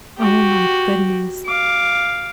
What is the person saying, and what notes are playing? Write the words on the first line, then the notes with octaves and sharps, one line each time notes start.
Oh my goodness.
F#4 G4
F5 D6